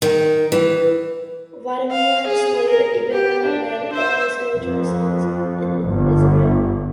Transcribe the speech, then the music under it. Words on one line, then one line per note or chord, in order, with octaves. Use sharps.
Vladimir displayed a banner that read "Let us go to our son in Israel".
D#3
E3
F5
G#4
A#4
G4
D4
C5 E5
F2
G1